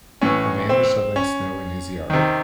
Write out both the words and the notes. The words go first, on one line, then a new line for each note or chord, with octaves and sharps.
A man is shoveling snow in his yard.
A2 E3 C#4
C4
C#4
C3 D#3